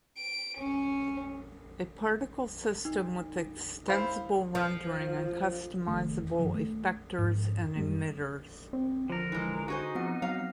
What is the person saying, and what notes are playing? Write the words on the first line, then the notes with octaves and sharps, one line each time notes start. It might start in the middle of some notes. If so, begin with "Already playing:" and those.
A particle system with extensible rendering and customizable effectors and emitters.
D7
C#4
D#4
E4 C5 F5
F3
F1 D#3 A3
F#2 D#3 F3
A3
F2 G#2
F#2 G3 A#3
C4
D3 F3 A#4
E3 G#3
D3 D#4 F#4 G#4 C5
F3 B3 C4 F#5
F#3 F5